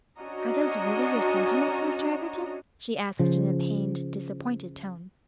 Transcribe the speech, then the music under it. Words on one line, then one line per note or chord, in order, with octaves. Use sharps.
"Are those really your sentiments, Mr. Egerton?" she asked, in a pained, disappointed tone.
C#4 D4 F#4 D#5 A#5
C#3 F3